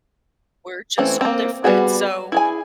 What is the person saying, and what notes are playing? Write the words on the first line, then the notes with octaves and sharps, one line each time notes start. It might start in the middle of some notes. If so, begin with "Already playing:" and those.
we're just all different, so
E3 A3 C4 C#4
A#3 C4
G3 B3 C#4 F#4 G#4
E4 G#4 G#5